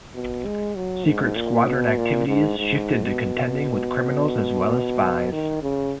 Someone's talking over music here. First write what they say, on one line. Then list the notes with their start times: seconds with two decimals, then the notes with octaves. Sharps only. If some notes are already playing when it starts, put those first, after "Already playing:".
Secret Squadron activities shifted to contending with criminals as well as spies.
0.15 B2
0.45 G#3
0.76 F#3
1.06 G#2
1.36 A#2
1.66 B2
1.97 A#2
2.28 G#2
2.58 G#2
3.04 B2
5.32 D#3
5.62 C#3